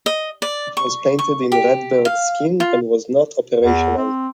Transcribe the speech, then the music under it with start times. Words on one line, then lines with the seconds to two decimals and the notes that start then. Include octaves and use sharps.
It was painted in redbird scheme and was not operational.
0.06 D#5
0.42 D5
0.77 C#6
1.19 C#6
1.52 G4
2.05 F5
2.60 F4
3.63 E2
3.97 C4